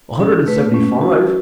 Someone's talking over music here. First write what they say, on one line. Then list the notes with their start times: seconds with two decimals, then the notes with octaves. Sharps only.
"A hundred and seventy-five."
0.20 C#4
0.47 A3 B4
0.74 C#4
1.01 F#4